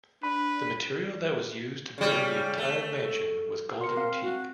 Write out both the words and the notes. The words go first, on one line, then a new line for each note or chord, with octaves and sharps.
The material that was used to build the entire mansion was golden teak.
D4 B4 B5
C#3 G3
A3
A#4 C6 C#7
C4 F5
F#4